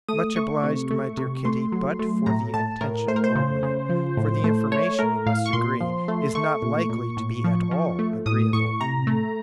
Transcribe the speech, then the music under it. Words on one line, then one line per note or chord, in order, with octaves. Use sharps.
"Much obliged, my dear Kitty; but for the intention only--for the information, you must agree, is not likely to be at all agreeable."
A3 D#6
A3 C#6
C3
A3
C3
A3 C6
F#3
A3
A2 A#5
A2 A5
A2 A#4
A3 C5
A#4
C5
C#3
C#3
F3
A2
A3
A3 C#5
A3 A#4
A2 F5
C#6
A#2 C6
F3
A3
A3 C#6
A#2
A#2
A2
F3
F3
A3
A2 D#6
A2 C#6
C3 A#5
A3